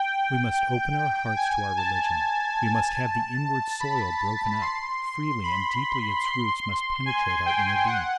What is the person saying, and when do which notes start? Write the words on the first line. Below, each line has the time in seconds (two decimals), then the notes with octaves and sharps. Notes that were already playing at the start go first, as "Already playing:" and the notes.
We must open our hearts to our religion; we must have the inward soil broken up, freely and deeply its roots must penetrate our inner being.
Already playing: G5
1.37 G#5
1.77 A5
3.80 B5
4.61 C6
5.43 B5
6.24 C6
7.06 G#5
7.46 G5
7.86 F#5